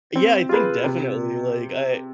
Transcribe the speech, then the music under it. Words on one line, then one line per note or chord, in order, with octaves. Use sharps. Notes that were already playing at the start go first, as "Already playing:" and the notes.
Yeah, I think definitely. Like, I
C4
F4 G#4 B4
C3